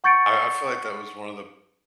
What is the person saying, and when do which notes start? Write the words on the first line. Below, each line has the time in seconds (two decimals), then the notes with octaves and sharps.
I I feel like that was one of the
0.04 F#5 C#6 G6 A6 C#7 D7